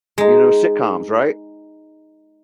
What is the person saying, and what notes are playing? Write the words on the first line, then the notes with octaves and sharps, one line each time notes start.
You know, sitcoms, right?
G#3 D#4